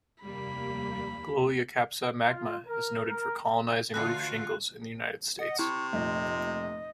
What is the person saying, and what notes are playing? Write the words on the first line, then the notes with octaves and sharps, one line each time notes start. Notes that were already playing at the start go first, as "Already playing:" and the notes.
"Gloeocapsa magma" is noted for colonising roof shingles in the United States.
F1 D#2 C3 G3 A#3 B5
F4
A#4
A#4
D3 E3 A3 F4 F#4 B4 F#6
D#5 F#5
C3 E4 C#6
F1 A#2 A3 D#5